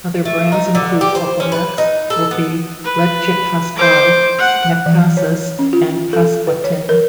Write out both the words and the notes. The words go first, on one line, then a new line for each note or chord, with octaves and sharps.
Other brands include PulpaMex, Woopy, Leche Pascual, Nectasis and Pascuatin.
A3
D#4
D3
G4
C5
C#4
B4
D#4
A4
B3
B4
C5 D6
F#5
E3
C#5
C#4
F4
A4
B4
C#5
A#4